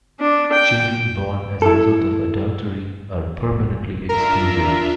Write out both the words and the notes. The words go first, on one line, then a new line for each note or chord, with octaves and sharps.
Children born as a result of adultery are permanently excluded.
D4
G5
E4 A4
D4 F4 A#4 E5